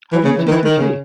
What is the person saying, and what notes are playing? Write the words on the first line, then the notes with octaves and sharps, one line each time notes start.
How do you take your tea?
E3
C#3
E3
D#3
E3
D#3
C#3